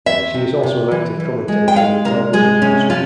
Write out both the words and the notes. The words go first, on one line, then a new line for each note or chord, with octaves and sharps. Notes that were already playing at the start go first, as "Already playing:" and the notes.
She is also an active commentator on the television industry.
E2 E5
C3
C3
E3
E3
G#3
G5
G#3 F5
C3 A#4
G#3 G#4
C3 C#4
F3 F4